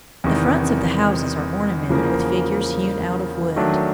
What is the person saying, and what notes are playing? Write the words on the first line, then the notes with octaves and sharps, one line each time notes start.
The fronts of the houses are ornamented with figures hewn out of wood.
E2 C3 D#3
E2 C#3 F3 A#3
D#3 F#3 A3 D4